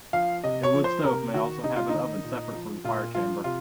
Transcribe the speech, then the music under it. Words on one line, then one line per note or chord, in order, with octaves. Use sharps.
A wood stove may also have an oven separate from the fire chamber.
F3 F5
C3 D#5
C#5
F3
C5
C3 A#4
D#3 F#4
C3 D#4
F4
D#4
D#3
A#2
F3
A#2 F4
F3 F4
C3 F4